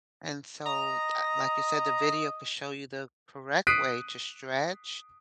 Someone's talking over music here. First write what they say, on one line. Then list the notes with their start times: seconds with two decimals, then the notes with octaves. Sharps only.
And so, uh, like you said, the video could show you the correct way to stretch
0.66 D#5 A#5
3.67 D#6 F#6 B6 C7 D7 D#7